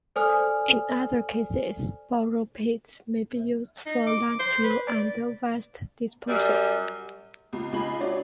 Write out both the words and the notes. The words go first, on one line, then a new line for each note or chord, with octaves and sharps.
In other cases, borrow pits may be used for landfill and waste disposal.
A4 C5 D5 G#5 D#6 F6
D#4
D6
C5
B4
D5
F#2 G3
C#2
C#2 G#3 D#4 G#4 B5 F#7
D4 F#4 C#5 D5